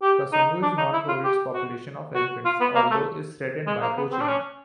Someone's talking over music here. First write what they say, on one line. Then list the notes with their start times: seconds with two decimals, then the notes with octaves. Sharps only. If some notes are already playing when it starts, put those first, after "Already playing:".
Kasungu is known for its population of elephants although is threatened by poaching.
0.02 G4
0.32 D#4
0.62 D4
0.78 D#4
0.93 E4
1.08 F4
1.24 G4
1.54 F#4
2.15 F#4
2.45 F4
2.60 B3
2.75 A#3
2.91 A3
3.67 G#3
3.82 A#3
3.97 B3
4.12 C4
4.20 D4
4.27 C#4